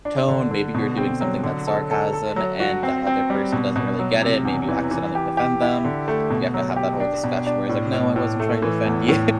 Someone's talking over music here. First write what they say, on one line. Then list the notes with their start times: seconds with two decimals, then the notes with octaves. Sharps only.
tone. Maybe you're doing something that's sarcasm, and that other person doesn't really get it, maybe you accidentally offend them, you have to have that whole discussion where it's like, "No, I wasn't trying to offend you.”
0.05 D4
0.28 D3
0.51 D3
0.74 B2
0.97 C4
1.21 F#3
1.43 D3
1.67 A4
1.91 A4
2.13 A4
2.36 F#3
2.60 F#4
2.83 C4
3.07 C4
3.30 G3
3.52 B2
3.76 B2
3.99 F#3
4.22 C3
4.45 E2
4.69 E3
4.91 E3
5.15 G4
5.37 G4
5.61 E4
5.85 D3
6.08 A3
6.30 B2
6.54 F#3
6.76 G4
7.00 D4
7.24 B2
7.46 D4
7.69 A2
7.93 A2
8.16 A2
8.40 A3
8.62 E3
8.85 E2
9.08 A2